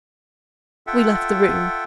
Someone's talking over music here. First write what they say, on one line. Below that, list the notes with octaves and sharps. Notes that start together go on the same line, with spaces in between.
We left the room.
F4 A4 E5 F#5 G5